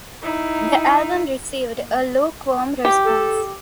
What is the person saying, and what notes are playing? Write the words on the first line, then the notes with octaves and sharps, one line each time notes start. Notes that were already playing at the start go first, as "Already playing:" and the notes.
The album received a lukewarm response.
D#4 E4
G4
A4